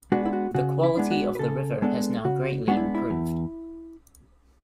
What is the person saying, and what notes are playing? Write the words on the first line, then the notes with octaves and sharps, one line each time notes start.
The quality of the river has now greatly improved.
G#3 B3 D4 F#4
E4
F#4
C#3 F#4
E4
G#3 B3 D4
F#4
B4
C#3 A4
G#3 B3 D4 A4
C#3 F#4
G#3 B3 D4 F#4
E4
E4
E2